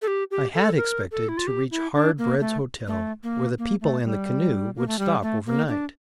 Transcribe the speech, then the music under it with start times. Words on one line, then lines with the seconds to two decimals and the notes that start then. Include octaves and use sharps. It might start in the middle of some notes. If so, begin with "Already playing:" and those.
I had expected to reach Hard Bread's Hotel, where the people in the canoe would stop overnight.
0.02 A4
0.07 G4
0.31 G4
0.54 A4
0.77 A#4
1.12 A4
1.29 E4
1.37 F4
1.47 G4
1.71 E4
1.94 D4
2.18 A#3
2.40 A3
2.87 A3
3.23 A#3
3.58 A#3
3.81 A3
4.05 G3
4.76 A#3
4.88 A3
4.99 G3
5.22 A3
5.46 A#3
5.68 D4